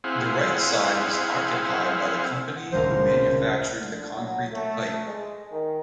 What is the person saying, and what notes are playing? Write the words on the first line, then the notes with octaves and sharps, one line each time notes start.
The right side was occupied by the company who manufactured the concrete pipe.
C4 E4 G#4 F5 F#5
F#5
D#1 C#2 A#4 C5
D3
F#3
A3
G#3
D#3